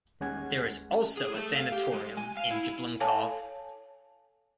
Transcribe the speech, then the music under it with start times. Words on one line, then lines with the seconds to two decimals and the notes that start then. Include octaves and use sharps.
There is also a sanatorium in Jablunkov.
0.20 D#2 G#3 C#4 F#5 G#5 G#6
1.17 G#4
1.34 A3
1.56 F5
1.72 G4
1.93 G#3
2.17 G#5
2.37 F5
2.51 E4
3.00 A4 C#5 F5 G#5 A5